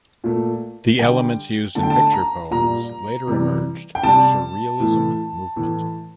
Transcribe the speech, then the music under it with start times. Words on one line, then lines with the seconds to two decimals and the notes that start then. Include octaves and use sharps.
The elements used in Picture poems later emerged surrealism movement.
0.24 A#2 A3
0.99 D3 G3 G5
1.75 D3 A3 A5
1.83 G5
1.90 A5
2.13 A#5
2.51 A#2 G3 A#5
3.27 C3 E3 G3
3.95 G5
4.03 C3 G3 A5
4.80 A2 E3 A3
5.56 A2 E3 A3